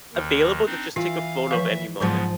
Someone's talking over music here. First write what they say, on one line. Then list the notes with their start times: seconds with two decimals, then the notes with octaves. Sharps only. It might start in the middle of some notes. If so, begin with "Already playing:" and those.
a available to just take a photo of any moment.
0.13 D#2 D#3
0.66 C4 D4 D#4
0.96 E3 F4 F5
1.51 F3 B4 E5 F5
2.00 G#2 C#3 F3 F#3 B3 C5 C6